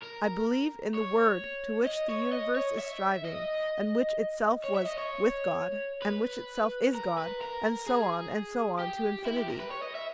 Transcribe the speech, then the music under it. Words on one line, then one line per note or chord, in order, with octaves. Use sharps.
I believe in the Word to Which the universe is striving, and Which Itself was 'with God,' and Which Itself is God and so on, and so on, to infinity.
A#4
C#5
D#5
C#5
D#5
C#5
E5
D#5
C#5
E5
D#5
C#5
B4
A#4
B4
A#4
G#4
G4
E4
G4
A#4
B4
C#5
D#5
E5